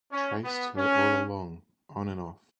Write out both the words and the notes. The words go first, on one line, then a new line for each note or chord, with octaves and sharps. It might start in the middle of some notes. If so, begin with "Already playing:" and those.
Traced her all along, on and off.
C#4
B3
C#4